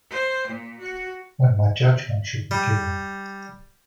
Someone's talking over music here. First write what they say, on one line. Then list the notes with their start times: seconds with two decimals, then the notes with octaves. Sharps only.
When my judgment should be given.
0.11 C5
0.47 A#2
0.79 F#4
2.51 G3